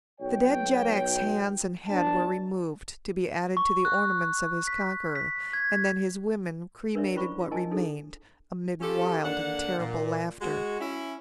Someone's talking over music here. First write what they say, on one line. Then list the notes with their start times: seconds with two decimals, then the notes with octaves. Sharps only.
The dead jeddak's hands and head were removed to be added to the ornaments of his conqueror, and then his women cremated what remained, amid wild and terrible laughter.
0.21 B1 C#5 G5
1.88 G1 D4 A5
3.57 C#6
3.85 F#6
4.67 B6
5.16 B6
5.53 G#6
6.95 D4 A#4 B4 C#5 D5 E5
7.16 C#4 E4 F4 C5 B5 C#6
7.40 F4
7.51 E4 A#4 D#5 G#5 A5
7.71 D4 D#4 G#4 A4
8.81 C#4 F4 G4 A4
9.24 D3 A#3 D4 F#5
9.78 A#2
10.41 G#3 F#4
10.80 C#4 E4